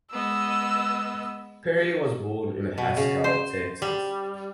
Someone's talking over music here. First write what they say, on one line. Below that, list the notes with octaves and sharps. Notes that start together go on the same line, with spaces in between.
Perry was born in Haskell, Texas.
G#3 B3 D#5 E6
B2
C#3
C5
G3